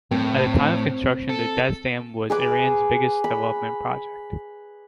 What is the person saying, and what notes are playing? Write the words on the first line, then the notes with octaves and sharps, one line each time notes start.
At the time of construction the Dez Dam was Iran's biggest development project.
A2 C4
A4
G#4 B4 D6
B5